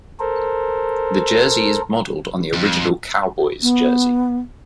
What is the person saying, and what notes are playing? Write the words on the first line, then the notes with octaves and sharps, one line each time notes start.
The jersey is modelled on the original Cowboys jersey.
A4 A#4 C5
F2
B3